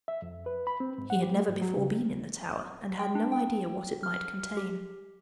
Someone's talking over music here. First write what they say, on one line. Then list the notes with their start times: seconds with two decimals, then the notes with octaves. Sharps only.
He had never before been in the tower, and had no idea what it might contain.
0.08 E5
0.22 F2
0.46 B4
0.67 B5
0.80 C4
0.98 G#2
1.10 F#5
1.22 G4
1.34 A3
1.48 G#2
1.62 F#3
1.77 C#3
2.99 G5
3.15 D4
3.32 G5
4.03 F6
4.57 G4